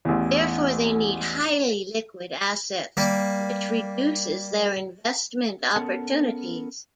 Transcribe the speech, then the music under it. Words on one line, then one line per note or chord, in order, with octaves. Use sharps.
Therefore they need highly liquid assets which reduces their investment opportunities.
A1 E2
G3 A#3
B3 C#4 A4 A#4 F#5 A5